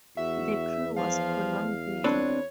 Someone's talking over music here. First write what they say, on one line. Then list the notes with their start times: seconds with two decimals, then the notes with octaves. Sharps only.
The crew was Colombian.
0.17 E2 F#4 E5
0.96 F3 F5
2.04 C#2 C4 D4 B4 C#5